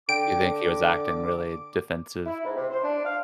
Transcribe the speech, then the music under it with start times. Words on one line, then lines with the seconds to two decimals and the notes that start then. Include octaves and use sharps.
Do you think he was acting really defensive?
0.09 D3 G5 D6 D7
2.26 E4
2.45 G#2
2.56 C3
2.71 C5
2.83 D4
3.05 F5